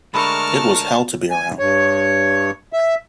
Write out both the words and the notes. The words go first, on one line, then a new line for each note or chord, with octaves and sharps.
It was hell to be around.
D3 G#3 A3 A#4 A5 B5 C#6 F6
G#5
G2 C#5
E5